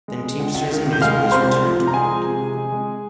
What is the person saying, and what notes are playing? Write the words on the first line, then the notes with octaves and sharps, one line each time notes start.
Then teamsters and newsboys returned to work.
G#3
G#3
C#2
C#2
D#3
C3
G6
G#3 F5 F6
C#2
C3 C5 C6
C2
F3
C3
A#5
G#3 G#4 G#5
F3
C3
C3
G#3
G#3